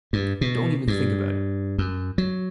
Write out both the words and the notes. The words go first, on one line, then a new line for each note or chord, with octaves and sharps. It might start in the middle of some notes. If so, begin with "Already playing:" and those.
Don't even think about it!
G2
B2
G2
F#2
F#3